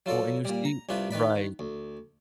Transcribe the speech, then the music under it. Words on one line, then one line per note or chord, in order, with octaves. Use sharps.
Well, and you see right.
F#3 F4 A4 D5
A#2 G3
A#5
C2 C3 D4 F4 B4
D#3 B4 D5 B5
D2